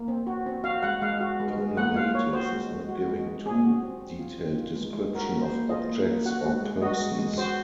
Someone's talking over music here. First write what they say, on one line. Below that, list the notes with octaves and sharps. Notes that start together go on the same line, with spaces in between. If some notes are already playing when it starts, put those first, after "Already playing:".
Donelaitis is not giving too detailed description of objects or persons.
Already playing: A#3
C4
F#4
C4
F#4 F5
G#3 F#5
G#3 F5
F#4
G#3
G#3
A#3 F#5
F4 F5
A#3 C#5
F#4 C5
G#3
G#3
F#4
G#3
G#3
C4 G#4
F#4
C4
C4
F4
C4
F4
G#3
G#3
F#4 A#4
A#3
C5
A#3
F4 D#5
A#3
A#3
F#4 F#5
G#3
G#3
F#4 D#5
G#3
G#3
F#4 C5